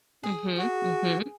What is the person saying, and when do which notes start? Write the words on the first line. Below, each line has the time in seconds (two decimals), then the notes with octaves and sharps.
Mhm, mhm.
0.24 G#4
0.58 F#4